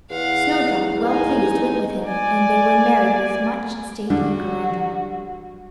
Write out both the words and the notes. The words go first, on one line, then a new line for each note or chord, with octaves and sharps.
Snowdrop, well pleased, went with him, and they were married with much state and grandeur.
E2 F5 F#5
D#4 G#5
D5 G#5
D3 G3 F#4